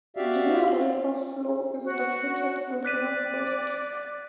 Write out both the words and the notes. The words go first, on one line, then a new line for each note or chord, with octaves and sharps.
Deer River Flow is located in the northwest.
F#4 G4 D5 E5 F5
F#4
D5 F#6 B6 D#7